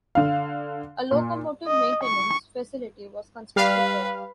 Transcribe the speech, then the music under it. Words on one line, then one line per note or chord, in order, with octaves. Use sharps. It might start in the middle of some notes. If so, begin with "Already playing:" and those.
A locomotive maintenance facility was constructed there.
D3 F5
A#2
D#5
C#6
G3 B4 F5